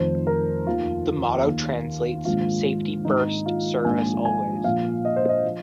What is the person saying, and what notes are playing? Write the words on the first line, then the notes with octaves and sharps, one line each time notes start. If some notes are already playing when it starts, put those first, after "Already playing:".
The motto translates "Safety First, Service Always".
Already playing: F1 F2 D#3 C5
A#4
F1 D#2 D#3 F4
D#2 D#3
A#1 G#2 D#3 F4
G#1 G#2 D#3 D#4
F4
A#1 G#2 F3 G#5
G#5
A#1 A#2 F3 F5
D#5
C5
D#5
F3